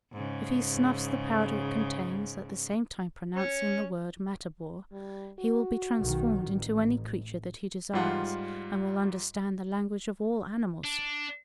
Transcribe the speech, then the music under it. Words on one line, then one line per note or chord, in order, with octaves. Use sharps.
If he snuffs the powder it contains, at the same time pronouncing the word 'Matabor,' he will be transformed into any creature that he desires, and will understand the language of all animals.
G#2 C#3
C#4 C#5
G3
F#4
B1 D#3
A1
G#2 G3 F4 F#5
D4